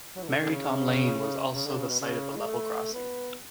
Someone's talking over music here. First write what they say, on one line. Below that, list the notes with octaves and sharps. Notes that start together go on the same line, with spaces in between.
Merry Tom Lane was also the site of a level crossing.
F#3
E3
D3
D3
C#3
C#3
D3
C#3
B2
C#3
G#3
A3
B3